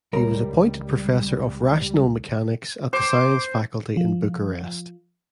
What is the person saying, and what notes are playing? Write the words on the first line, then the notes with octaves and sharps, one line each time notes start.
He was appointed professor of rational mechanics at the Science Faculty in Bucharest.
C#2 G3 A#4
C5 D6
F3